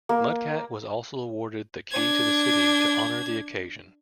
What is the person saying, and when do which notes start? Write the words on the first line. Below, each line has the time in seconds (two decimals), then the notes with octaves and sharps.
Mudcat was also awarded the key to the city to honor the occasion.
0.09 A#3
1.92 D4 G#6